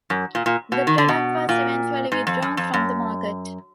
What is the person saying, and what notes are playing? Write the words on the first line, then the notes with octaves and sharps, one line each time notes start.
The product was eventually withdrawn from the market.
F#2
A#2
A#2
B2
D#3
D3
B2
A#2
G#2
F2
F#2
F2
F#2